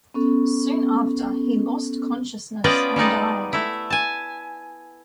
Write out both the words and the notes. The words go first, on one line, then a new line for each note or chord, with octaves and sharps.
Soon after, he lost consciousness and died.
B3 C#4 A4
B3 C#4 F4 D5 D#5 G5
G3 G#3 D#4 D5
A3 E4
G#5 A5